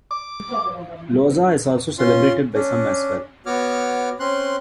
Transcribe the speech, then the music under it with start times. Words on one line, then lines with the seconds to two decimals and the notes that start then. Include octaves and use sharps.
Losar is also celebrated by some as well.
0.11 D6
1.98 C#4 F4 C6
2.54 C#4 D4
3.46 B3 F#4 C#5 D6 F6
4.20 C4 C#4 C6 F#6